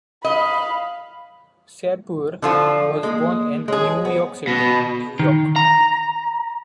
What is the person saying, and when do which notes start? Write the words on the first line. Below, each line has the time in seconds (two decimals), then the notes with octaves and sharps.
Sabur was born in New York City, New York.
0.25 D#5 F5 B5
2.42 D3 F3 F4 A4
3.03 G#3 A#3
3.68 G#3 G#4 C#5
4.05 B3 C5
4.47 B2
5.19 D#3
5.56 A#5